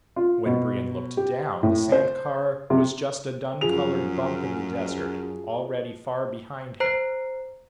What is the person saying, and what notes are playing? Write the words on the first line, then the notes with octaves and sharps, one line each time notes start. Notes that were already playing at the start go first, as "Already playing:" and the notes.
When Brion looked down, the sand car was just a dun-colored bump in the desert, already far behind him.
F4
B2
G4
A2
C5
C3
F#2 F3 G#4 F7
C5 A#5 F#6 C7